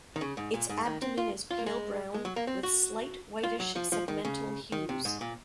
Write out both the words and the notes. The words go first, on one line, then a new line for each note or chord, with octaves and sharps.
Its abdomen is pale brown with slight whitish segmental hues.
D#3
C#3
G#2
A#2
G#2
D#3
C4
F4
F4
A#3
G#3
G#3
F#3
A#3
C4
F#4
F4
F#3
F3
F3
D#3
C#3
D#3
C3
G#2
A#2